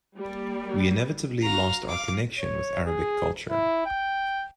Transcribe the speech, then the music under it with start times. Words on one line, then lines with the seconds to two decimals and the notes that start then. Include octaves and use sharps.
We inevitably lost our connection with Arabic culture.
0.17 G3 A#3
1.42 F#4 F5 A#5
1.89 F5 D6
2.39 C#5
2.87 G#4
3.50 E4
3.86 G5